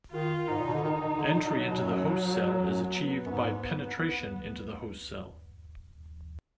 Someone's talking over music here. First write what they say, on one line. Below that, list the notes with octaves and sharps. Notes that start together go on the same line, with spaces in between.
Entry into the host cell is achieved by penetration into the host cell.
D#3 F4
G#2 D#4
A#2
B2
D3
D#3
D#3
D3
A#2
F#3
B2
F#2
F#2
B3
F#2
G#2
B3